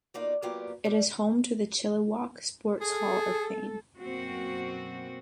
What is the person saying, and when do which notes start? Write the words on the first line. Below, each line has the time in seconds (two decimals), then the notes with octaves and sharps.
It is home to the Chilliwack Sports Hall of Fame.
0.14 G2 B2 A#3 D#4 F4 D5
0.42 F#3 A#3 B3 F4 G4 D5
0.84 G#2 G3 D5
2.81 G#4 A4
3.99 F#2 B2 A#3 C4 F#4